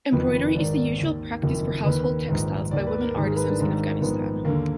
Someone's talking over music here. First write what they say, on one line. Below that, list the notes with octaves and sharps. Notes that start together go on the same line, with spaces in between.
Embroidery is the usual practice for household textiles by women artisans in Afghanistan.
F#1 F2 D#3 B4
B4
G#1 G#2 D#3 D5
D5
D#2
D#3
F#1 F2 D#3
D#2 D#3 B4
A#1 G#2 D#3
D#2 D#3 D5
B4
A#4
G#1 G#2 D#3 A#4
G#4
B4
D4
G#1 G#2 D#3
A#1 G#2 D#3 B3
D#2 D3 A#3